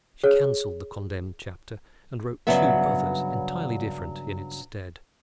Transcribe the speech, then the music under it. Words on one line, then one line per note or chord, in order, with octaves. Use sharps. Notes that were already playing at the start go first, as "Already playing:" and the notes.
She cancelled the condemned chapter, and wrote two others, entirely different, in its stead.
G#4 C#5
G2 C#3 F#3 B3 E5